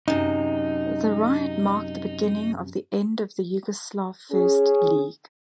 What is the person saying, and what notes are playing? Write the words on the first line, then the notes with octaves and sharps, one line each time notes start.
The riot marked the beginning of the end for the Yugoslav First League.
F#2 C3 D#4
C#4 G#4